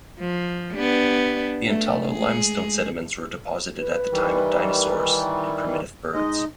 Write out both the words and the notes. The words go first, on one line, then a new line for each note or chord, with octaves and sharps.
The Antalo Limestone sediments were deposited at the time of dinosaurs and primitive birds.
F3
B3 D4 G4
A3
G#3 G#4
B4
D#3 E3 G3
G#3 D#4 D#5